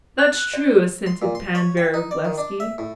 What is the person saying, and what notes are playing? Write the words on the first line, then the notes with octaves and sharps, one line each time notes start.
"That's true," assented Pan Vrublevsky.
F#6
D5
C6
A#2
C6
C#5
G5
D#4
D5
D#3
D4
E5
A2